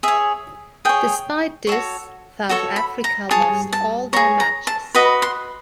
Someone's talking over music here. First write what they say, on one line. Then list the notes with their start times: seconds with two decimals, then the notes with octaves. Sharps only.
Despite this, South Africa lost all their matches.
0.03 G#4 C#5 E5
0.85 G#4 C#5 G5
1.67 F#4 A4 C#5
2.49 F#4 A4 C#5 A5
2.76 B5
3.04 A#5
3.31 G#4 C#5 A5
3.73 A5
4.13 C#5 A#5
4.16 G#4
4.40 A#5
4.67 A5
4.95 F#4 B4 D#5 B5
5.22 C6